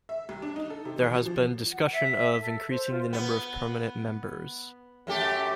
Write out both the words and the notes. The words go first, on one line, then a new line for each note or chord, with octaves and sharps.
There has been discussion of increasing the number of permanent members.
E5
C2
D4
D#4
A4
C3
E3
F#3
F3
F#5
E5
A4
C5
F4
B3
F#2 A3 G4